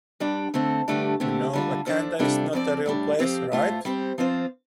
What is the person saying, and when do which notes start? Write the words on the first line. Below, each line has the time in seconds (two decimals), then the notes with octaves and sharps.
You know Wakanda is not a real place, right?
0.20 G2 G3 D4
0.54 D3 A3 C4 A4
0.88 G2 D3 A3 D4 G4
1.20 D3 A3 C4 G4
1.53 D3 G3 F4
1.86 F3 D4 A4 C5
2.19 C3 G3 D4 F4 A4
2.53 F2 F3 C4 G4 D5
2.86 A2 G3 D4
3.19 F2 F3 C4 G4
3.52 A2 A3 F4 C5
3.85 G3 C4 G4 C5
4.18 F3 C4 F4 C5